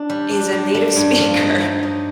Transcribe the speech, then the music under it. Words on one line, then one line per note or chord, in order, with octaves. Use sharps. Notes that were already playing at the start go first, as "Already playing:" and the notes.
is a native speaker
Already playing: D4
G3
D4
G3
G3
G2
F3
D#4
G2
D#4